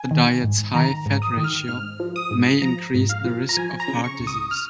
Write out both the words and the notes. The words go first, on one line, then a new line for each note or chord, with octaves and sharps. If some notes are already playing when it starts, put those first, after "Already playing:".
The diet's high fat ratio may increase the risk of heart disease.
Already playing: G#5
D#3
G#2
D#3 A#5
G#2
D#6
D#3
F6
G#2 F6
F3
D#6
G#2
F3 A#5
G#2
F5
F3
A#5
F3 G#5
A#5
C#3
C#6
C#2
D#6
F6